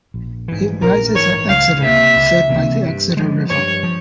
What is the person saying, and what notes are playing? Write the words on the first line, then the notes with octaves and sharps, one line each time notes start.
It rises at Exeter, fed by the Exeter River.
A#1
G#2 E3
A#1 A#4
G#2 E3 C#5
C#2 F5
C3 E3 A#3 E5
C#2
C3 E3 A#3
G2
F3 G#3
G2 C#5
F3